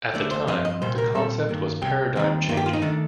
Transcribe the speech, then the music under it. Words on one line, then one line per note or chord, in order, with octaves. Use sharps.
At the time, the concept was paradigm changing.
D2 D3 A3 D5
C5
G2 F3 C4 D#5
D#5
C2 A#2 G3 C5
A#4
A#2 G3 C4 A4
G2 D#3 A#3
C2 C3 G3 G4
D#2 D#3 G3 C4
G2 D#3 A#3 F4
G4
F4
D#4
D#3 A3 D4